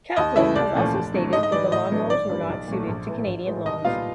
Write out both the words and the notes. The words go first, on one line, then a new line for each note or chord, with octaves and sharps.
Cowpland has also stated that the lawnmowers were not suited to Canadian lawns.
D#2 D#5
C#3 E3 A3 E4 E5
C2 D5
A#2 F3 A3 C#4
F1
F2 D3 F#3 A3
G#2 D#5
D#5
E3 G3 D5
A2 D#5
F#3 B3 D4
G#1 D5
G2 E3 G3 A#3
B1
A#2 F#3 A3
A#1
A2 E3
A#1
A2 E3 G#3
C2 D#5
A#2 G3 B3 D#4 F4 F5